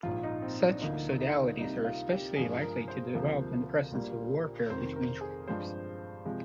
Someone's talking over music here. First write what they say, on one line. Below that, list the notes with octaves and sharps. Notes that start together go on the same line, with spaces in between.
Such sodalities are especially likely to develop in the presence of warfare between tribes.
A#1 G#2 F3 F4
D#4
C4
D4
D2 D3 F3 A#3 D#4
D#4
C2 C3 G3 A#3 D#4
F4
G4
G2 F3 G#3 G#4
A#4
C5
D2 C3 F3 A#3
A#1 A#2 G3 A#3
F1 F2 D#3 C5
A#4
G#4
G2 F3 G#3 C5
C3 F3 G#3